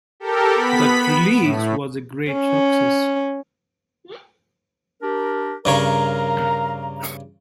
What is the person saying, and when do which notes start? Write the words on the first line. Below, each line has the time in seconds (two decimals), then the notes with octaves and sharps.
The release was a great success.
0.20 G4 A4 A#4
0.55 B3 B5 B6
1.39 A2
2.32 C#4
5.01 D4 G4 A#4
5.65 G2 C#3 A#4 C#5 F5 A#5